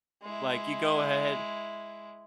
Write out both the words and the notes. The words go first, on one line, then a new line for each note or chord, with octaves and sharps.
Like, you go ahead,
G#3 E4